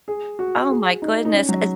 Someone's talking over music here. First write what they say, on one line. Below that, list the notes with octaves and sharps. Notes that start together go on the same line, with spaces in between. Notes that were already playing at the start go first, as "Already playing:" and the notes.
oh my goodness, i
G#4
F#4
G#4
D#4
D#4
C#4
F#3